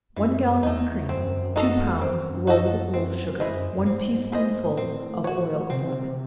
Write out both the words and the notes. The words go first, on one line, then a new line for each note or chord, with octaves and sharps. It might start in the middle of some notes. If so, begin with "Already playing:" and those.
One gallon of cream, two pounds rolled loaf-sugar, one tea-spoonful of oil of lemon.
F#2 E3
E2 A3 D#4
F#2 C4
D#4 F#4 A4 D#5
E2
F#2 C4
D#4 F#4 A4 D#5
C4
E4 G#4 C5 D#5
F#2
G#2 C4
E4 G#4 C5 D#5
A2 C4
F#4 C#5
C3 C4
C#3
C3